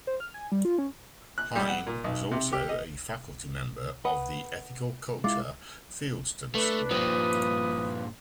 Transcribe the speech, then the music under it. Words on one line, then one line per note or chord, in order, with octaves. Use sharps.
Hine was also a faculty member of the Ethical Culture Fieldston School.
C5
F6
G#5
G3
F4
C#4
F#6
G3
F#5
A#2
B1
C3
G4
D#5
B4 F#5 D#6
G#3 E4 F4 D6
A3 D4 B4
G2 A#2 F3 D#6